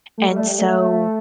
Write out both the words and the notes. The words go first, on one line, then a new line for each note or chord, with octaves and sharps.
and so,
A3
G3
A3
G3
A3
A3
A3
A3